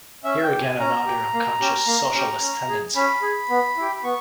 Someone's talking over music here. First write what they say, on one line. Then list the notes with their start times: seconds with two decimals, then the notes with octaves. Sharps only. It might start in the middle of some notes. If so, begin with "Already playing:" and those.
Here again another unconscious socialist tendency!
0.24 C#4 E5
0.43 G5
0.51 G4
0.61 G#5
0.79 C#4 A#5
1.06 G4
1.33 A#3
1.60 C#4 G4
1.87 A#3
2.14 C#4 G4
2.41 C#4
2.69 G#4
2.96 C#4 B5
3.22 G#4
3.50 B3
3.77 E4 G4
3.96 B5
4.04 B3 C#6